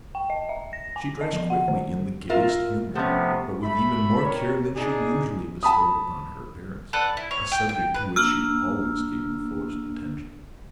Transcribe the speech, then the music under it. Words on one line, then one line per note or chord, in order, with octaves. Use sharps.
She dressed quickly, in the gayest humour, but with even more care than she usually bestowed upon her appearance; a subject to which she always gave the fullest attention.
G5
D#5
E5
A#6
G#5
D#5
F3
F#5
D#3
F4 A#4 E5
C3 F3 A3 B3 C#4
A3 E5 B5
G3 A#4 C#5
D4 D#4 G#4
A5 B5 D#6
A4 B4 D5 F#5
E4
C#5
G5
G5
B4
A#3 D4 E6 F6